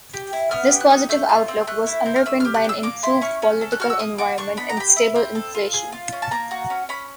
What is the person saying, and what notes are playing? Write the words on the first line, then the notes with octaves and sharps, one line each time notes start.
This positive outlook was underpinned by an improved political environment and stable inflation.
G4
E4
B3 F6
G4
F#6
D#4
A3 G6
F4
C4
A3 F#6
E4
C4
F6
A3 E6
G4 F6
F#6
D4 E6
A#3 D6
E4 C6
C#4 C#6
C#4
A4
F#6
F#4 F6
E6
A#3 D#6
F#4 D6
D4 C#6
B3 B5
A#5
G4 B5
E4
C4
A4
F4
G#4
F4
C#4
A5
A#3 A#5
F#4
C#4
C#4 B5